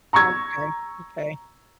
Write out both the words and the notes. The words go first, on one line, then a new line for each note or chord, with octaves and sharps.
Okay, okay.
A#5 C#6 E6 G#6